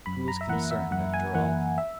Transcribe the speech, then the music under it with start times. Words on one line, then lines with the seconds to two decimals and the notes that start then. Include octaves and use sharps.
Who was concerned, after all?
0.06 F#2 B5
0.28 A#5
0.41 E5
0.49 E3 A#3 F#5
0.71 E5
0.91 F#2 F#5
1.14 G#5
1.34 E3 A#3 F#5
1.78 E5